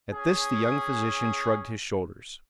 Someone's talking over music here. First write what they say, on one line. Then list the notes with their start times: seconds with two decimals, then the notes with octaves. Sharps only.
At this the young physician shrugged his shoulders.
0.13 C#4 G#4